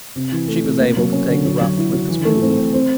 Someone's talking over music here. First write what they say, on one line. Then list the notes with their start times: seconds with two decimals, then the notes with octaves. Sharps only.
She was able to take the rough with the smooth.
0.16 C3
0.32 E3
0.48 A3
0.64 C3
0.80 A#3
0.96 F#3
1.12 C#4
1.29 D3
1.45 F#3
1.61 F#3
1.77 E4
1.93 F#3
2.09 E3
2.25 A3
2.42 C4
2.57 C4
2.73 C4